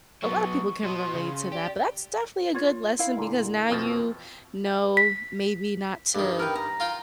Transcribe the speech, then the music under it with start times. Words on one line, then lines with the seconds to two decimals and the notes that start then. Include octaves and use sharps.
a lotta people can relate to that, but that's definitely a good lesson because now you know, maybe not to
0.22 F#3 B3 C#6
0.84 F#4 D#5 C6
1.13 C#3
1.52 G4 D5
2.55 F4 C#5
2.99 E4 F4 F5
3.17 A#2 D3
3.70 F2 B2 F3
4.97 B6
6.15 G2 D#3
6.39 A#4 B4 G5
6.55 A#5
6.80 F4 F5 G5